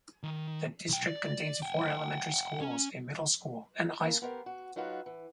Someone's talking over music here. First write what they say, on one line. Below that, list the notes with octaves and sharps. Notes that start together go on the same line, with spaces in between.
The district contains four elementary schools, a middle school, and a high school.
D#3
B1 G5
D5
F#5 G5
C#4
C#3 A#3
B3 G4 A#4 C5
F#4
F#3 D#4 F4 F#4 B4
E3